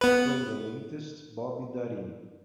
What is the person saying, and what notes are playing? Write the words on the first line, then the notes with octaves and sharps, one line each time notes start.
Play the latest Bobby Darin.
B3 B4